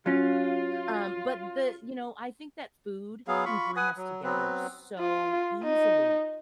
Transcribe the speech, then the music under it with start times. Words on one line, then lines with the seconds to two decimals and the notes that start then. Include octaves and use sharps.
Um, but the you know, I think that food can bring us together so easily,
0.06 F#3 C#4 F4
3.28 F#3 B3 G#4 F5
3.45 F4 B5 C#6
3.76 B4 F#5 G#5 D#6
3.97 F#3
4.23 F#3 B3 C4 B4
4.99 F4
5.63 D#4